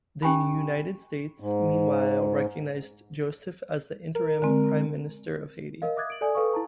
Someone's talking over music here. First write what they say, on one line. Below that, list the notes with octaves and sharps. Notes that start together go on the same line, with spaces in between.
The United States meanwhile recognized Joseph as the interim Prime Minister of Haiti.
C#4 G4 G5 G#5 B5
G#2
A#4
D3 G#3 C4
A#4 D#5 F5
E5 D6 D#6 F#6 G#6 A6
D7 F#7
A4 D5 E5 G#5 D#6
A4 B4 F5 G5 C#6 D#6
E4 A5 A#5